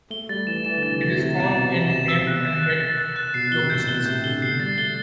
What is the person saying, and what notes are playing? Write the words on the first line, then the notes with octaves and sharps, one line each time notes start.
It is found in damp and wet locations.
A3 G7
G3 A6
E3 E7
E3 E7
D3 A6
C3
A6
C3 E7
B2 E7
B2 A6
C3 E7
E7
E6
F#6
A6
F#6
A6
A6
F#6
B2 C7
B2 G7
C3
A2 G6
B2 G7
C3 G6
D3 G7
C7
G3 A6
A3 G7